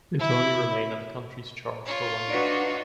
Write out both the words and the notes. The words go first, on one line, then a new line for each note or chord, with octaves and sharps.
It only remained on the country's chart for one week.
E4
F4 C#5
D4 D#4 F#4 B4 D5